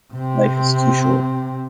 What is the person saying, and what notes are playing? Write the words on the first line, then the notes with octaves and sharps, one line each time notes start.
Life is too short.
C3 C4